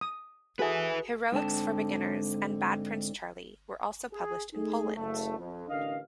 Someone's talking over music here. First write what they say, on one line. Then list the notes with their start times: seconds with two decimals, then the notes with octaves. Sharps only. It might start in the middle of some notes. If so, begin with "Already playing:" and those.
"Heroics for Beginners" and "Bad Prince Charlie" were also published in Poland.
0.01 D#6
0.59 F#4 G#4 A4 B4 E5
1.32 G#2 D3 C4 A5
4.13 G#4
4.53 A3 D#4 G#4
4.95 F#1 A3
5.38 F2
5.68 A1 D3 D4 A#4 D#5 F5